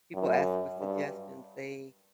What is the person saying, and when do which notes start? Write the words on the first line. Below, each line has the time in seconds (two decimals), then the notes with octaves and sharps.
people ask for suggestions, they
0.14 F#2
0.79 G2